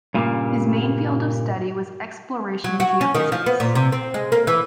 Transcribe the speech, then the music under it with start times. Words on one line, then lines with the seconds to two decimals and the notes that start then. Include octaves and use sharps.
His main field of study was Exploration geophysics.
0.14 G2 A#2 C#3 G3 A#3
2.64 F#3
2.80 F#4
3.01 C#4
3.15 D#3
3.32 F3
3.46 B3
3.60 A#2
3.75 C3
3.92 C4
4.14 G#3
4.32 A#3
4.47 E3